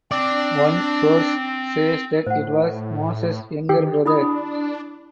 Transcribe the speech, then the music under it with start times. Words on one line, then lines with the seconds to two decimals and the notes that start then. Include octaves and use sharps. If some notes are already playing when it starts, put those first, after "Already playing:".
One source says that it was Moses younger brother.
0.12 C4 D4 D5
2.27 A2 C5 F#5
3.69 D#3 G4
4.06 D4 E4 B5 D#6